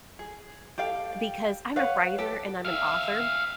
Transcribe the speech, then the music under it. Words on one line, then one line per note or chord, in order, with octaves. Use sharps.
because I'm a writer and I'm an author,
G#4
G4 A4 F5 G5
B4 C#5 F5 F#5
G4 A4
E5 F5